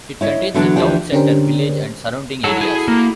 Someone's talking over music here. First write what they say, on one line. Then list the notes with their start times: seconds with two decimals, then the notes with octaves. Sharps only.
It contains the town center village and surrounding areas.
0.21 E4 C#5 D#5
0.54 D3 E3 F#3 B3 D4
0.76 D2 E3 F3 D4 G4 G5
1.12 D3 C#4 D4 G4 A#4 C5
2.44 E4 F#4 A4 C#5 F#5
2.61 G#4
2.88 A#3